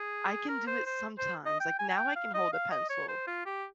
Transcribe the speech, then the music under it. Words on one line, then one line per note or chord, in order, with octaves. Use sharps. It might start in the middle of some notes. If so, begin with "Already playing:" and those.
I can do it sometimes, like, now I can hold a pencil,
Already playing: G#4
A#4
C5
C5
C5
D#5
G5
G#5
G#5
G5
F5
D#5
F5
D#5
C#5
C5
F4
G4